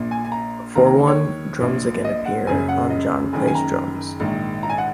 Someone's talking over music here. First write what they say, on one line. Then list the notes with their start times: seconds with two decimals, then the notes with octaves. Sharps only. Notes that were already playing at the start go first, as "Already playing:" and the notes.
For one, drums again appear on John Plays Drums.
Already playing: A#1 A#2
0.11 G#5
0.25 G#5
0.32 A#5
0.75 D#2 D#3 A#5
0.87 A#5
1.07 C#5
1.61 A#1 A#2
2.05 D#5
2.25 F#5
2.47 F#1 F#2 C#3 G#5
2.69 F#5
2.90 D#5
3.33 F#1 F#2 D#3 G#5
3.47 G#5
3.55 A#5
4.20 A#1 G#2 D#3
4.63 A#5
4.70 G#5
4.78 F#5